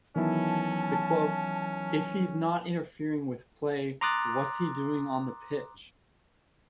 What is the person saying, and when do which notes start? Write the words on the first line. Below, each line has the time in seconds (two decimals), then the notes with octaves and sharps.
The quote, If he's not interfering with play, what's he doing on the pitch?
0.16 D#3 E3 F#3 B3 C#4 E4 A5
4.01 A#5 C6 D6 D#6 F#6 A6